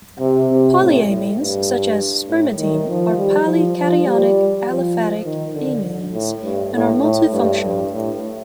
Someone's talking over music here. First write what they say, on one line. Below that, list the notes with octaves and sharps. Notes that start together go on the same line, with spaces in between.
Polyamines, such as spermidine, are polycationic aliphatic amines and are multifunctional.
C3
C3
A2
A2
G2
A2
D#3
F3
G3
F3
F3
G3
F3
D#3
D3
A2
G2
A2
A2
G2
G2
A2